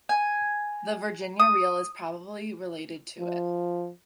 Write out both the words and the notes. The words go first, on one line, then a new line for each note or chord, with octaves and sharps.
The Virginia Reel is probably related to it.
G#5
D#6
F3